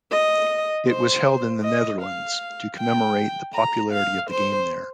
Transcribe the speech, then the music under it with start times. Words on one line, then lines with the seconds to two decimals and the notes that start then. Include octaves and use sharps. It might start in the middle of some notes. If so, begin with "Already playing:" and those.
It was held in the Netherlands to commemorate the popularity of the game there.
0.11 D#5
0.88 C5
1.63 D#5
2.01 F5
2.78 G5
3.54 A#5
3.92 F5
4.30 C5